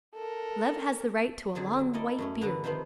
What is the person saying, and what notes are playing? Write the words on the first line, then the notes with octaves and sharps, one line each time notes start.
Love has the right to a long white beard.
A4 A#4
F2 D3 F#3 G#4
F#3
E4 A4 A#4 D5 D#5
F#2 A3 C#4
G2 D3 B3 A#4 B4 A#5
C3 D#3 F3 B3 C4